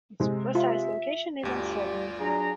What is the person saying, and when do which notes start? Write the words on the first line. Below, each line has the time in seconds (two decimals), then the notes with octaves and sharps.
Its precise location is uncertain.
0.20 C3 G#3
0.55 F4 E5
1.43 G1 D2 F4 G4 D5
2.20 F#3 D4 G#4 A#5